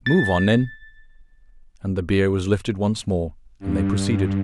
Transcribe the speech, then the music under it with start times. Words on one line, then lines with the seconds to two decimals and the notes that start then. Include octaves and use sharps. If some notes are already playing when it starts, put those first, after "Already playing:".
"Move on, then." And the bier was lifted once more, and they proceeded.
0.06 A6
3.59 G2